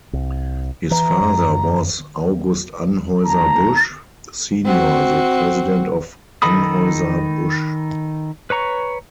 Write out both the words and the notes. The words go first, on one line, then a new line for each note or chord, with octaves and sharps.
His father was August Anheuser Busch Senior the President of Anheuser-Busch.
C2
E3 A#5
F#2
D#2 A5 A#5
C4 F#4
D#3 D#4 A4 B5 D#6
B4 C#5 A#5 C#6